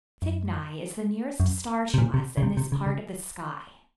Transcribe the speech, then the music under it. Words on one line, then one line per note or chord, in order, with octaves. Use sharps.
Cygni is the nearest star to us in this part of the sky.
F#2
F#2
C3
A#2
C3
C#3
C3
C3
C#3
C#3